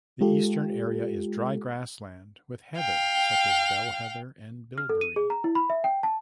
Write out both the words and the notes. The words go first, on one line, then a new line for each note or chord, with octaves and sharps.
The eastern area is dry grassland with heather such as bell heather and bilberry.
G#3 F4 G4 A4
F5 G5
F6
A4
D#7
G#4
A#5
E4
B5
E5
G5
A5